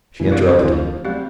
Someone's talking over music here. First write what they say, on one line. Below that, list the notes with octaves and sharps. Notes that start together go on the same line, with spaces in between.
She interrupted him.
E3
D3 C4 G4 D5 F5
E3
F3
G3 C4 G4 D5 F5